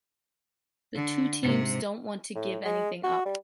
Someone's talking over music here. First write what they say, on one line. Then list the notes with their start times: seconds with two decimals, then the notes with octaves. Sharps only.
The two teams don’t want to give anything up.
0.95 D3
1.42 G#2 C3
2.35 A2
2.65 G#3
3.04 F#4
3.25 G3